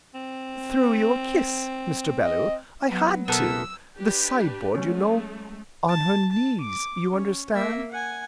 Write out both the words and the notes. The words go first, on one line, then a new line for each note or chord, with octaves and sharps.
"Threw you a kiss, Mr. Bellew,--I had to,--the side-board you know,--on her knees--you understand?"
C4
D#5
F#3 B3
B2 B3 A4 A#4 E5 E6
D4 G4 B4
F#3 G#3 A3 C#4
A5
A5
D6
C#4
A#3 E5
F#5 G#5